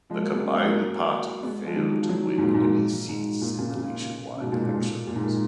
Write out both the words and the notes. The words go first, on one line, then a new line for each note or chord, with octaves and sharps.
The combined party failed to win any seats in the nationwide elections.
F3 G#3
F#3 A#3
G#3 B3
A#3 C#4
G#3 B3
F#3 A#3
G#3 B3
F3 G#3
D#3 F#3
F3
D#3 F#3
G#2
A#2
G#2
A#2
G#2
A#2
A#2 C#3
A#2 C#3
C#3
G#2 B2
A#2
G#2
A#2
A#2
G#2
A#2